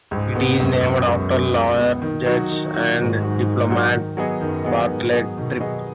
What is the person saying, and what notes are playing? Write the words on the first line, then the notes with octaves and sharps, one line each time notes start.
It is named after lawyer, judge, and diplomat Bartlett Tripp.
C#2 G#2
B2 B3
C#2 F#2
B2 B3
C#2
B2 B3
C#2
B2 B3
D#3
F#3 D#4 F#4
D#3
F#3 D#4 F#4
G#2 D#3
F#3 D#4 F#4
D#3
F#3 D#4 F#4
D#3
F#3 B3 G#4 D#5
F#2 D#3
F#3 B3 G#4 D#5
G#2 D#3
F#3 B3 G#4 D#5
B2 D#3
F#3 B3 G#4 D#5